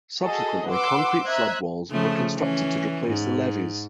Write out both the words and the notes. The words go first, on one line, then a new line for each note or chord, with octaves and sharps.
Subsequently, concrete floodwalls were constructed to replace the levees.
F#4 G#4 A4 D#5
B4 F#5 C6 D6 E6
C5 D#5 E5 A#5 F#6 G#6
C#3 F3 A3
E3 C#4
G#2